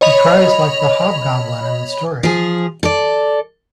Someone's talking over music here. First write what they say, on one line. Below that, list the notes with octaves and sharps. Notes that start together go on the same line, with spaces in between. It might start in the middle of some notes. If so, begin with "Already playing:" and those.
He cries like the hobgoblin in the story.
C#5 D#5 B5 F7
F3 G#4
A4 D5